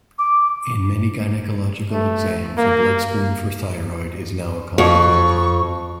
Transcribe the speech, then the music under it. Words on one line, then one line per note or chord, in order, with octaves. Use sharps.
In many gynecological exams a blood screen for thyroid is now a common protocol.
D6
A3
A#3
F2 C#6